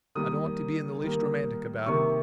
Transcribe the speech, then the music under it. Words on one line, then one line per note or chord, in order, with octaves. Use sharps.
I don't want to be in the least romantic about it.
D#3 G3 A#3 D#6
D#3 G3 A#3
C3 D#3 A#3 C#6